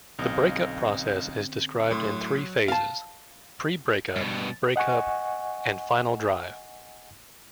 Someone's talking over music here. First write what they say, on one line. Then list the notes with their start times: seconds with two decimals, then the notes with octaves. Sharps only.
The break-up process is described in three phases: pre-break-up, break-up and final drive.
0.19 B1 D3 C4 C#4 D#5 F5
1.91 A2 F#3 C6
2.68 F5 A5
4.16 G2 B2
4.76 D#5 F#5 G#5 C#6